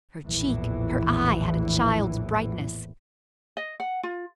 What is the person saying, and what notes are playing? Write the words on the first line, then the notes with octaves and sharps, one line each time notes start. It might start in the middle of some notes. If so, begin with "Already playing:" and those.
Her cheek, her eye had a child's brightness.
A#1 E2 A2 E3
D#5
F#5
F4